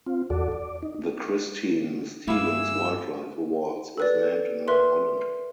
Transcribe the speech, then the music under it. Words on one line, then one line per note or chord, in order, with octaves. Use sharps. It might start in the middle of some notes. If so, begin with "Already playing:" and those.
The Christine Stevens Wildlife Awards was named in her honour.
C4 F4
E2 F#4 A4 D5
D5
D#4
G2 E4 G#4 F5 B5 D6 E6
A4 B4 D5
A#4 B4 E5 C6